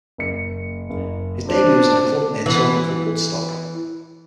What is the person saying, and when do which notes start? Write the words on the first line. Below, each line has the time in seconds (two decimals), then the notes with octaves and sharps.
His debut was in a club near Turin called "Woodstock".
0.18 F#1 C#7
0.90 F#1
1.49 C4 D4
2.46 E3 B3